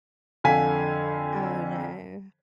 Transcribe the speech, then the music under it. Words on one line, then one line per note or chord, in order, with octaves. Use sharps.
Oh, no.
F2 D3 F5 G#5 B6